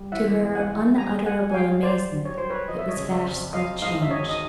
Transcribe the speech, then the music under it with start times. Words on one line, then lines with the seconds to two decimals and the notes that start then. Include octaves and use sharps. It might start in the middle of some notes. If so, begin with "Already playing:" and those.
To her unutterable amazement it was vastly changed.
Already playing: G3
0.12 E3 E5 F#5
0.41 B3
0.55 F#5 G#5
0.69 G#3
0.98 G3 G#5 A#5
1.26 G3 F#5 G#5
1.50 G#5
1.54 G3 F5 G5
1.83 F#3 C5 D5
2.12 F#3
2.25 C#5
2.38 F#3 C5
2.50 B4 C#5
2.68 F3 D#5
2.79 E5
2.89 C#5 D#5
2.97 C#3
3.11 D5 E5
3.25 F2
3.53 F#3 D#5 F5
3.82 G#2 D#5 F5
4.02 E5
4.11 D#3 C#5 D#5
4.29 D#5